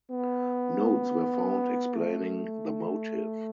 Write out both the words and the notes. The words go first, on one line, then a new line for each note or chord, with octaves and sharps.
Notes were found explaining the motive.
B3
A3